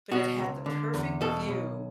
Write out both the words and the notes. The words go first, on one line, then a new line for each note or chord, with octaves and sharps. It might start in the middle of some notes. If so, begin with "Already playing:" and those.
but it had the perfect view
B2 F#4
C#2
D3
E2
B2 A4
B1